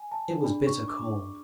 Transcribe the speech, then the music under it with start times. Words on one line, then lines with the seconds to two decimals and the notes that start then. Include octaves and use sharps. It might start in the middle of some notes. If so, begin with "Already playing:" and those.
It was bitter cold.
Already playing: G#5
0.12 A5
0.44 D4 G#4 D5 B5
0.67 C#6
0.88 D6